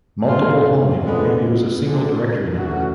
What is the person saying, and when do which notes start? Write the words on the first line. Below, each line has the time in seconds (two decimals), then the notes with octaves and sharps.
Multiple homing may use a single directory number.
0.26 B2 G3 C4 F4
1.03 D3 F3 G#3 B3
1.80 D3 F3 G#3
2.58 E3 A3 C#4 F#4